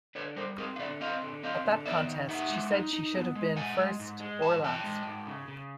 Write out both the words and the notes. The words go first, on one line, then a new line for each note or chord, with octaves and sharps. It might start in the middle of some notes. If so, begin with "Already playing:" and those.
At that contest, she said she should have been "first or last".
D3 B4 C#5
G3 A#4 C5
C4 G#4 A#4
F5
D3 D5 E5
C4 D#5 F5
D3
C4 D#5 F5
D3
B3 D5 E5
D#3
D#4 E5 F#5
G#3
D#4
D#4
B3
G#3
G#3 F#5 G#5
G#3
G#2
G#3
G#2 A5
E3 G5 A5
G#3
G#2
C#3
C#3